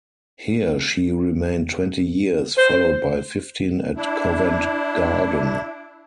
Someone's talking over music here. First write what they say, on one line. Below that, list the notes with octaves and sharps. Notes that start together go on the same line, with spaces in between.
Here she remained twenty years, followed by fifteen at Covent Garden.
C5
D4 E4